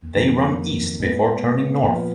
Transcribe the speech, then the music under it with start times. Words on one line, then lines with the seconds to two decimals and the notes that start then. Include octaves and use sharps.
They run east before turning north.
0.16 F2 D#3 F#3 A#3
1.00 A#2 G#3 B3
1.84 A#2 F3 B3